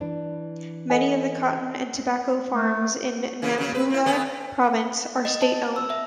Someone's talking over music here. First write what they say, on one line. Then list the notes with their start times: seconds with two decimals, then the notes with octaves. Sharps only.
Many of the cotton and tobacco farms in Nampula Province are state-owned.
0.01 E3 D4
0.90 A4 D#5 G#5
2.52 A3
3.42 C#3 E3
3.58 C#3 F#3
3.75 B4
3.90 C4 E4
4.06 A3 B3 C4
5.25 D#5
5.42 A5
5.76 E6
5.90 E5